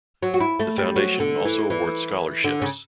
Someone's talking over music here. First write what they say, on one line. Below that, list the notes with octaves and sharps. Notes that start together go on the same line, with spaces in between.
The Foundation also awards scholarships...
F#3
F#4
E4
A3
G3
F#3
D3
E3
E3
D3
C#3